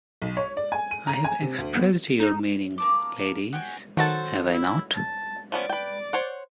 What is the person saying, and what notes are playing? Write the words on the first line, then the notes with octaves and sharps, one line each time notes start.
I have expressed your meaning, ladies, have I not?
B1
C#5
D5
G#5
D#7
A#5
G#5
C3
D2
B3
D#4
A#3 A5 D6
F#4 G5 G#5
D#3 F#3 F#4 A4 C5 A6
E4
A5
F3 B3 C#4 D5
B4 G5
C5 C#5 F#5